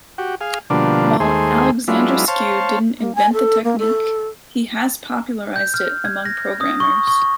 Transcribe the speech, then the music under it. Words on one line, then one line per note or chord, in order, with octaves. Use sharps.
While Alexandrescu didn't invent the technique, he has popularized it among programmers.
F#4 G4
G#4 F5
B2 D3 F3 G3 A#3 D4
D#2 G#3 A3 G#4 C5
F#3 G#3 B3 D4 E4 F4
C5 C#5 F5 A5
A#3
G#5
A4
A#3
A4
G6
F6
G#6
A#6
D#6
C#6
C#6